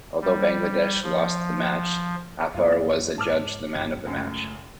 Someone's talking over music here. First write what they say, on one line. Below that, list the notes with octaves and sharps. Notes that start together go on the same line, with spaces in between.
Although Bangladesh lost the match, Athar was adjudged the Man-of-the-Match.
G3
F3
F#2 A#3 F4
G#2 A5 D6 F6
G1 F#2 B2
C#2 F#2 A3